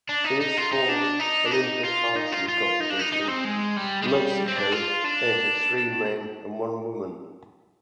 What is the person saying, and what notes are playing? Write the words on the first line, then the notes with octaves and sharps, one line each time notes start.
In its fourth Olympic archery competition, Mexico entered three men and one woman.
D4
D#4
D#4
F4
D#4
D4
D#4
D4
D#4
F4
D#4
F4
F4
D#4
D4
D#4
D#4
C4
G#3
G3
G#3
G3
C4
D4
F4
D4